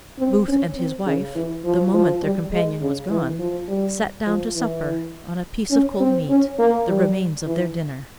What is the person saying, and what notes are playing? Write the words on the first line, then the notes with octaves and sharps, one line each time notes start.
Booth and his wife, the moment their companion was gone, sat down to supper on a piece of cold meat, the remains of their dinner.
C4
C#4
C4
C#3
E3
F3
F3
G3
G#3
C#3
E3
F3
G3
F3
E3
C#4
C4
C#4
A#3
G3
E3